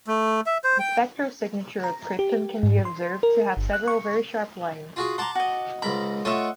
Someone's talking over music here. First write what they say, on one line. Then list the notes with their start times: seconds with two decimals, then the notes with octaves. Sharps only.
The spectral signature of krypton can be observed to have several very sharp lines.
0.07 A3
0.46 E5
0.64 C5
0.79 G5
1.84 A#5
2.19 G4
2.63 G#2
2.85 C6
3.23 A#4
3.57 G1
3.73 F#6
3.88 C#6
4.96 F4 F#4 G#4
5.18 F#5 A5 A#5 C6 D6
5.35 F#4 D#5
5.82 C#2 G#2 A#4 B5
6.25 A3 F4 C#5 D#5 E5 F#5